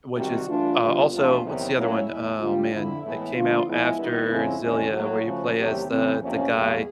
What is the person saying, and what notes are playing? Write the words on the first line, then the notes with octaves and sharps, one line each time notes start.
which is, uh, also what's the other one? Oh, man. It came out after Xillia where you play as the the guy,
C3 D#3 G3 F#4
G2 E3 A3 D4 F4
D3 G3 B3
E2 C3 F3 A3 D4 F4
E2 C3 D#3 F#3 B3 E4
A#2 F#3 A#3 C#4 E4
E2 B2 G#3
D3 G3 A#3 F4
F2 D3 F3 E4
A2 E3 G#3 B3 E4
D3 F3 A3 F4
A2 F3 G#3 B3 E4
D#3 G3 B3 D#4
F2 C#3 F3 G#3 C4
E2 C3 D#3 G#3 C#4
A2 F#3 A#3 F#4
C#3 F3 A3
E2 C3 D#3 F#3 A3 G4
C#3 E3 G3 C4
E2 C3 F3 A#3 C#4
E2 B2 G3 A#3 G#4